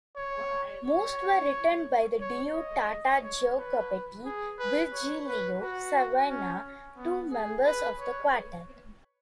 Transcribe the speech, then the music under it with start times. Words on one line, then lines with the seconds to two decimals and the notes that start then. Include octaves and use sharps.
Most were written by the duo Tata Giacobetti-Virgilio Savona, two members of the quartet.
0.17 C#5
0.84 C#5
2.21 C#5
2.55 D#5
3.22 C#5
3.57 B4
4.25 G#4
4.59 B4
4.93 C#5
5.27 B4
5.62 F#4
6.30 C#4
6.97 B3
7.31 G#4
7.65 B4
7.99 C#5